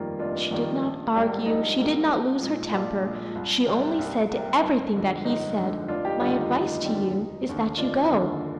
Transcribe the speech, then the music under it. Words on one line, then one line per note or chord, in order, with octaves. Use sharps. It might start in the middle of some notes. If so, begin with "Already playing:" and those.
She did not argue; she did not lose her temper; she only said to everything that he said, "My advice to you is that you go."
Already playing: F1 F2 D#3 G3 A#3 F4
F1 D4 F4
F2 D#3 G3 A#3
A#1
G#2 G3 A#3
A#1 D#4
G#2 G3 A#3
A#1
A#2 G#3
A#1 D4 F4
A#2 G#3
C2
C3 G3 A#3
C2
C3 G3 A#3
G1
F2 D3 G#3
G1 D#4
F2 D3 G#3
F1 D4 F4
D#4 G4
D#2 D3 G3 D4 F4
D#4
F1 D#4
D#2 D3 G3
F1
D#2 D3
F1 D4 F4
D#2 D3